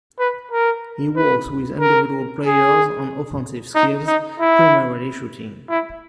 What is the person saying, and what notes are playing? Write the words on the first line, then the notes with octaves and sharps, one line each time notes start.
He works with individual players on offensive skills, primarily shooting.
B4
A#4
B4
A#4
G#4
D#4
D#4
E4
E4